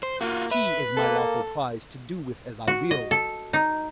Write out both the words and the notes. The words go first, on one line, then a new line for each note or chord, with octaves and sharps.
She is my lawful prize to do with as I will.
C5
A#3 F4 F#4
B4 E5
A#3 A4
F#4
D#5
A4
D#4